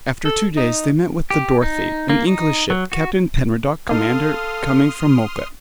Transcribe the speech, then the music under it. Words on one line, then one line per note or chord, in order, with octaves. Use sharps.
After two days they met with the Dorothy, an English ship, Captain Penruddock, commander, coming from Mocha.
A4
D#4
G4
D#4
A#3
D#4
F#3
F#4
A#3 D#4 A4 F5 C6 D#6 F6